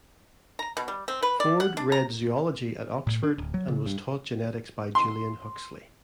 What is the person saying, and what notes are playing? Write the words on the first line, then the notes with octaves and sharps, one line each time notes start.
Ford read zoology at Oxford, and was taught genetics by Julian Huxley.
A#5
B2
G3
C4
B4
D5
F#5
D4
A#5
A2
D4
D1
F#3
C#3
G2
C6